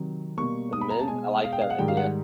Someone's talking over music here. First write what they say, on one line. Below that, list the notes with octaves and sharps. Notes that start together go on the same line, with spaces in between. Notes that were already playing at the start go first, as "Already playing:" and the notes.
The Mint, I like that idea.
Already playing: C3 D#3 F#3
B2 G3 A#3 C#6
D#6
B5
A#5
A5
B2 G#3 G#5
F5
G5
F5
F#5
G#2 D#3 G3 G5
F5
F#5